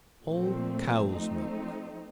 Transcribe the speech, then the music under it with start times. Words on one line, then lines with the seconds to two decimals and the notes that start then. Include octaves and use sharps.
Whole cow's milk.
0.25 A#2 F3 A3 C4
1.12 F3 A3 C4 D#4